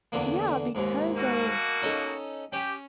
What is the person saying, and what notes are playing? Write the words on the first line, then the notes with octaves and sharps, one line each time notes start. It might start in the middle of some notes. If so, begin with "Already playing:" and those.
Yeah, because of
E2 D3 A#3
D#2 G#2
B2 A#3 F#4
C#4 D#4 A4
C#4 G4